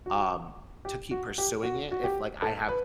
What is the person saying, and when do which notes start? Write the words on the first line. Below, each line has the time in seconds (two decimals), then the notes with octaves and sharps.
um, to keep pursuing it, if like I have
0.06 F#4
0.85 G4
1.11 F#4
1.38 G4
1.63 F#4
1.91 F#4
2.04 G4
2.42 A4
2.69 B4